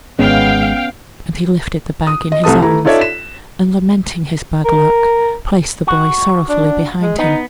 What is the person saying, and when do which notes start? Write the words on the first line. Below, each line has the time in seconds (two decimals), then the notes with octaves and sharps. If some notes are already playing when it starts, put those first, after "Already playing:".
And he lifted the bag in his arms, and, lamenting his bad luck, placed the boy sorrowfully behind him.
0.19 G#1 G#3 B3 C#4 F5 G5
2.07 D#6
2.32 D#5
2.44 C2 A3 A5 D#6
2.62 E3 A3 E4 A#5
2.85 D#4 F4 A4 C#5 D5 E5
3.01 B6 E7
4.65 A#4
5.87 F#4
6.49 D4
7.02 G#3
7.18 B3 D#4